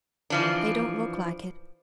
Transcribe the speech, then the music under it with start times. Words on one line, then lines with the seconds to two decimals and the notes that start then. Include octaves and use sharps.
They don't look like it.
0.30 E3 F3 D4